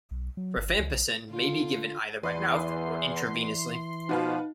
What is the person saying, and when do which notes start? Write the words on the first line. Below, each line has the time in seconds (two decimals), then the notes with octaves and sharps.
Rifampicin may be given either by mouth or intravenously.
0.11 B1
0.37 F#3
0.57 G1
0.79 C#2
0.93 A#1
1.29 D3 F4
2.23 E2 E3 B4 D5 C6
4.09 B2 F3 D#4 F#4 B4 F5